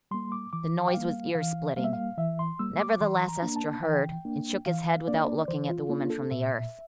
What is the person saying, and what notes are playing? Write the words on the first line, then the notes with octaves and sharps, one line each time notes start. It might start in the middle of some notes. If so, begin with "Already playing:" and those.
The noise was ear-splitting. Nevertheless Estra heard, and shook his head without looking at the woman from the Earth.
G3 A#3 C6
D6
E3 D6
G5
G3 A#3 F5
E3 F5
G3 A#3 F5
E5
F5
E3 E5
C6
G3 A#3 E6
D6
E3 C6
A#5
A#3 D4
A5
E3 G5
A#3 D4
E3 F5
A#3 D4 D5
E3 C5
F4
A#3 D4 F4
A4
A#2 E5